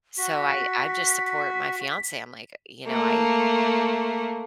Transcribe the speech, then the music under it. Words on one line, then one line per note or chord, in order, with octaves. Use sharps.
So I I just support my fiancé, I'm like, you know, I
F#4 B6
A3 A#3